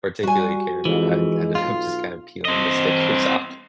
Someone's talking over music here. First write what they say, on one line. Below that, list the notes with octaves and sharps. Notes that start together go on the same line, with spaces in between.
particularly care about, I ended up just kind of peeling the stickers off,
G3 F#4 G#5
F2 E3 G#3
B1 F4
C4 D#5